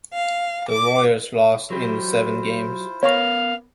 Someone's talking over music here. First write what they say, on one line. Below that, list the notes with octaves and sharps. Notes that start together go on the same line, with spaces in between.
The Warriors lost in seven games.
F5
D6
F#3 E4 F4 G4 C5
B3 A#4 C#5 F5 C#6